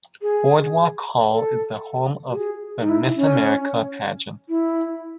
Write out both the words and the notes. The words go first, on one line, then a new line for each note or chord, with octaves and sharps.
Boardwalk Hall is the home of the Miss America Pageant.
G#4
A4
F#4
G#4
D#4
E4
C#4
E4